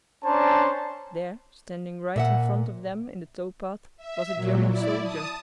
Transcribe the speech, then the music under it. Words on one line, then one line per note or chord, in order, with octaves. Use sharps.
There, standing right in front of them in the tow-path, was a German soldier!
C#4 D4 C5 A5 A#5
A#2 E5 F#5
E5
A#2 F#3
E4 D5
A5 D#6